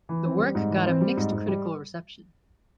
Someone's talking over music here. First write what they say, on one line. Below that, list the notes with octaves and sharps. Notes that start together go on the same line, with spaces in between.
The work got a mixed critical reception.
E3
C4
G3
G#2
E3
C4
G3
G#2
G#2
G3